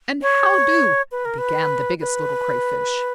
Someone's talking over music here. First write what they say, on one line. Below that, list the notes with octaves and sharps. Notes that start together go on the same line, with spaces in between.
"And how do--" began the Biggest Little Crayfish.
C#5
B4
A#4
B4
B4